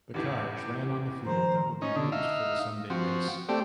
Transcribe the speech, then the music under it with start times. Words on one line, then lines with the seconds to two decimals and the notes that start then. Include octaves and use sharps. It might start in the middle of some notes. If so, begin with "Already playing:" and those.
The cars ran on the fuel that would be used for the Sunday race.
0.14 A1 E2 A2 G4
1.25 D#3 F3 C5 A#5
1.82 C#4 D#4
1.96 D3
2.12 D#4 E5 F5
2.90 F3 C4 F#4
3.49 A3 C4 G4 D5